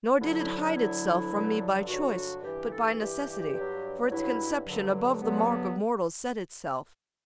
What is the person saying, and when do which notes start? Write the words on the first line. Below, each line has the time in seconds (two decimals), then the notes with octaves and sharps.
Nor did it hide itself from me by choice, But by necessity; for its conception Above the mark of mortals set itself.
0.20 D2 D3 F#3 E4
0.38 E4
0.58 D4
0.76 D2 D3 F#3 E4
1.31 G2 D3 F#3
1.87 G2 D3 F#3 F#4
2.42 G2 E3 G4
2.71 A4
2.98 G2 E3 G4
3.54 G2 F#3
4.11 G2 F#3 E4
4.66 G2 D3 F#3
5.21 G2 D3 F#3 B3
5.50 B3